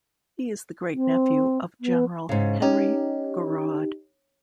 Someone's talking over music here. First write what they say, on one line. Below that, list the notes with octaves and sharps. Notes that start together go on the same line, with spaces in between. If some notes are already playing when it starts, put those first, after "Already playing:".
He is the great nephew of general Henri Gouraud.
C4
B3
G#2 C#3
C#4 D#4 G4